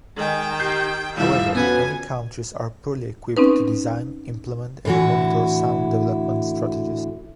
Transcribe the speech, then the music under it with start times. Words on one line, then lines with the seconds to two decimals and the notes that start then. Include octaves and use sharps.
However, many countries are poorly equipped to design, implement and monitor sound development strategies.
0.17 D#3 G#3 G5
0.60 G4 G6 C7
1.17 F1 D#3 F3 G3 E4 E5 F5
1.55 B3 C#4 F#4 B4 G#5
3.37 C4 C#4 D#4 B4
4.85 A2 D3 E3 E4 F#4